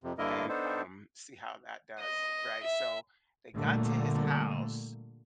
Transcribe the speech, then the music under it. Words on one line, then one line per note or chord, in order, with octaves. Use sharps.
and, um, see how that does, right, so they got to his house
F2 C3
G2 D3 A#3 E4 A#4 D#5
B3 D4 D#4 A4 C5
D#5
E5
A#2 D3 G3 A3 A#3